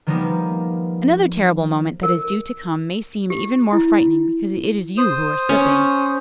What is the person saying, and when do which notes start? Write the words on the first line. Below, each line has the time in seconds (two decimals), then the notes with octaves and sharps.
Another terrible moment that is due to come may seem even more frightening because it is you who are slipping.
0.07 D#3 F3 G3 A#3 B3 D#4
2.03 A#4
3.30 G4
3.72 E4
4.98 C5 D#6
5.49 C#4